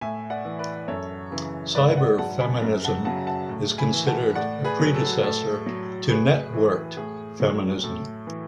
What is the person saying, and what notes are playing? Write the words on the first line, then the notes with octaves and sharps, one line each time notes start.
Cyberfeminism is considered a predecessor to networked feminism.
A2 E5 G#5
D5 F#5
E3
B4 D5
F#2 A4 C#5
C#3 E3
G#2 B4 D5
D5 F#5
F#3 F#5 A5
G#5 B5
F#2
F#5 A5
C#3 F#3 F#5 A5
F#5 A5
A2
G#5 B5
E3
F#5 A5
A2 D5 F#5
G#4 B4
F#3
A4
A2 A4
F#3
A2 G#4 B4
E3
A2 G#4
F#3
A2 A4
E3